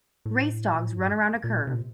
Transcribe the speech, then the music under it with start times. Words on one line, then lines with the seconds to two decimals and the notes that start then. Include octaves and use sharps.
Race dogs run around a curve.
0.26 A2
0.74 A#2
0.85 A2
0.96 G2
1.44 A#2
1.67 C3
1.74 A#2